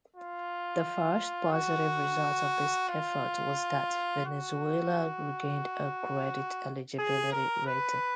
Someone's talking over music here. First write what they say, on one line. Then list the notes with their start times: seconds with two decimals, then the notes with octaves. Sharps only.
The first positive result of this effort was that Venezuela regained a credit-eligibility rating.
0.16 F4
1.52 F#4
2.88 F4
4.26 F#4
6.99 G#4
7.32 A#4
7.66 B4